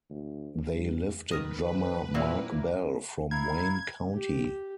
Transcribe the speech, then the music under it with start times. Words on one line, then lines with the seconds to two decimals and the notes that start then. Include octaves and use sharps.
They lifted drummer Marc Bell from Wayne County.
0.10 D2
0.73 G2
1.31 D#3 A#4 B4 D#5
2.14 A#2 G3 A#3 C4 E4 F#4 F6
3.31 E4 A#4 F5 G#6
4.13 G4